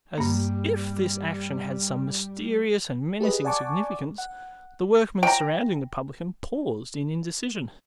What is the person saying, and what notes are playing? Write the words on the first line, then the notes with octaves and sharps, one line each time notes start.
As if this action had some mysterious and menacing significance, the workmen surrounding the publican paused in indecision.
G2 G3 A#3
G4 G#4 B4 D#5
D5 F#5 G#5 A5 C#6 D6
F#5
G5 A#5